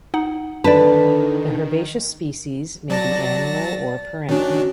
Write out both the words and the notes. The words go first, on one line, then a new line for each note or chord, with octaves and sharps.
The herbaceous species may be annual or perennial.
D#4 F#5
D3 D#3 B4 D5 A5
F#3 D5 A5 A#6
D#3 C#4 D4 F#4